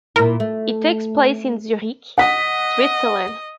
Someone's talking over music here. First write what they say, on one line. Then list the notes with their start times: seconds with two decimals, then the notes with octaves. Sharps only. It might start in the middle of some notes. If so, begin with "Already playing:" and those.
It takes place in Zurich, Switzerland.
0.16 A#2 E4 A#4
0.40 A3
2.18 D#5 F#5 B6